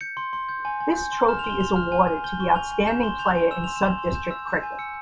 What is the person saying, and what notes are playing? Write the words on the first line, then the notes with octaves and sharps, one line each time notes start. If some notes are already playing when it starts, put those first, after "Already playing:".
This trophy is awarded to the outstanding player in Sub-District cricket.
G6 C#7
C6
C6
G6
G#5
G#5
G6
C6
F6 E7
F7
C6
G7
C6 F7
F6
G#5
G#5
G6 G7
C#6 G7
G#5 F7
G#5
G6 E7
C6 G7
G6 F7
G#5
E6 E7
C6 F7
E7
C6
C6
G6 E7
E6
G6
G#5
E6 C#7